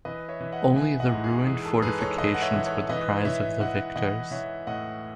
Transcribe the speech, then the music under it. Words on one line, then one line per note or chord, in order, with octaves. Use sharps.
Only the ruined fortifications were the prize of the victors.
E3 B4 D#5
C#5 E5
E3
D#5 F#5
E3 E5 G#5
D#5 F#5
G#2
G#4
E3 G#4
A4
G#2 G#4 B4
A4 C#5
G#2 B4 D#5
F#5
C#5 E5
E3
A4 C#5
E3 B4 D#5
E3 C#5 E5
E3 D#5 F#5
E3 D#5 F#5
E3 C#5 E5
A2 D#5 F#5